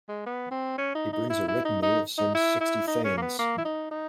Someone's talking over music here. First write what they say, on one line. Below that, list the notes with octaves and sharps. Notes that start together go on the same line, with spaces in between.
He brings a retinue of some sixty thanes.
G#3
B3
C4
C#4
D#4
D#4
E4
E4
D#4
D#4
D#4
E4
E4
D#4
C#4
A#3
B3
A#3
E4
D#4
D#4